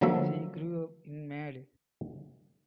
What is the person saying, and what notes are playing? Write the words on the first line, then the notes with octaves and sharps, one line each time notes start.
She grew up in Made.
D3 F3 F#3 A3 A#3 E5